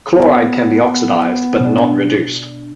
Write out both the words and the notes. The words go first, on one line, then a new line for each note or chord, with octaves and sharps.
Chloride can be oxidized but not reduced.
B3
B2 D4